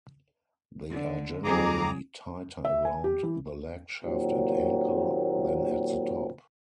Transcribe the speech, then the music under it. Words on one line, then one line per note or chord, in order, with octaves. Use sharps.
They are generally tighter around the leg shaft and ankle than at the top.
D3
F2 F#3 G#4 A#5 D6
E5
G#5
G4
E3
D#2 A#2 F#3 C4